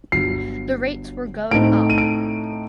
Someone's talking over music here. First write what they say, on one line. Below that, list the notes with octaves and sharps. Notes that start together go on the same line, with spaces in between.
The rates were going up.
G1 G2 F#3 C7
A2 A3 C4 D#4 D7
D#7
D7